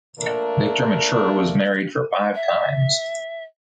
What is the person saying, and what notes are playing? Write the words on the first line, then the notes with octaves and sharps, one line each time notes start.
Victor Mature was married for five times.
F3 A3 A#3 D4 A#4
E5